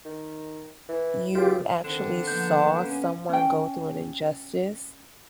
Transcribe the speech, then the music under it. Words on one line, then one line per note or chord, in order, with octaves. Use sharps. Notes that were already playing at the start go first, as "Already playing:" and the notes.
you actually saw someone go through an injustice?
D#3
E3
C#2 F4 G4
D3 D#3 C4
F3 A#3 B3 G6
C#4
C#4 G5